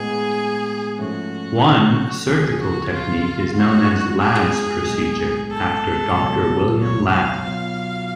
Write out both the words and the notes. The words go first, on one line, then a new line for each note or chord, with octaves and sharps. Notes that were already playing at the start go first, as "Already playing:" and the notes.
One surgical technique is known as "Ladd's procedure", after Doctor William Ladd.
Already playing: A2 G#3 B3 G#4
G#2 F3 A3 C#4 F#4
D2 C#3 F3 G#4
F#4
F4
G#2 G#3 B3 D4 F4 F#4
G#4
B1 A2 G#3 B3
A4
C#2 B2 F#3
C#5
F5
B2 F#3 B3 F4